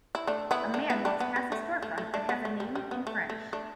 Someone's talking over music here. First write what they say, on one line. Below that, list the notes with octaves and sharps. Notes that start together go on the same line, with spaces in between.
A man walks past a storefront that has a name in French.
E4
A3 D4
B3 E4
A3 D4
B3 E4
A3 D4
B3
B3
A3
A3
A3
A3 D4
B3
A3
G3
G3
B3
A3
A3
A3 D4